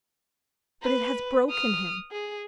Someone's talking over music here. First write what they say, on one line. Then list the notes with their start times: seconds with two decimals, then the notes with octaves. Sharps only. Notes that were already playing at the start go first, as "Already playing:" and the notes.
But it has broken him.
0.82 B4
1.49 D#6 F6
2.12 G#4